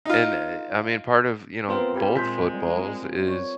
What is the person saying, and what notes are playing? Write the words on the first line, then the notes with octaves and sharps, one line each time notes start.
And, eh I mean, part of, you know, both footballs, is
D#4 F4
B3 C4 F4 A#4 C5
G3 G4 G5 G#6
A#2 G#3 C6 G6 B6
G3
C#5